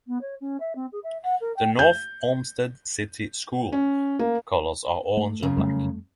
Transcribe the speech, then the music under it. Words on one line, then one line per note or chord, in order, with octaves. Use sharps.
The North Olmsted City School colors are orange and black.
B3
C#5
C#4
E5
C4
G#4
E5
F#5
A#4
G5
G6
C#4
A#3
A3
F#2 C#3
F2 G3 A3